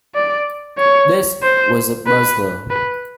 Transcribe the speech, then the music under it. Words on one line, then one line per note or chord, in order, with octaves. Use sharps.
This was a puzzler.
D5
C#5
C5
B4
B4